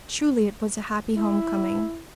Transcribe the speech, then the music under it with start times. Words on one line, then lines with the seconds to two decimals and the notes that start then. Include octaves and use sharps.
Truly it was a happy home coming.
1.15 E4